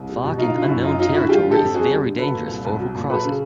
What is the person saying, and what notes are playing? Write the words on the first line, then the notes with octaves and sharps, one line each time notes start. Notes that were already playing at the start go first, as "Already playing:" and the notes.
Fog in unknown territory is very dangerous for who cross it.
Already playing: C2
G3
B2
F#3 D#4 F4
D3 F4
E4 F#4
F#2
F#2 D#4 F4
F#3 D#4 F4
D3 E4 F#4
G3 F4 G4
D3
G4 A4
F2
F2 F#4 G#4
G3
D3
F#3 A4 B4
A#2
C2
C2
F#3
A#2
F#3 A4 B4
C#3